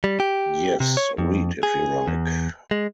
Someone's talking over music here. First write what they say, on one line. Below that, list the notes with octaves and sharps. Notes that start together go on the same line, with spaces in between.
Yes, read if you like.
G3
G4
C3
C#5
F2
G#4
E2
G#3